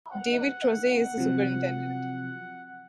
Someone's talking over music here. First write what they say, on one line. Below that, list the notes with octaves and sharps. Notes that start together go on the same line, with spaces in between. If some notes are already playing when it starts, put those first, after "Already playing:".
David Kroeze is the Superintendent.
F#5
C3 F3 F#3